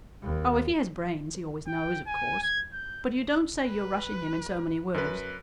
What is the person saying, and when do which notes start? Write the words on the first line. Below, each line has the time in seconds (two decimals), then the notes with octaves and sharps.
Oh, if he has brains, he always knows, of course; but you don't say you're rushing him in so many words.
0.22 D#2
1.67 G5
2.07 G#5
2.43 G#6
2.73 G6
3.66 B4
4.94 F#2 B4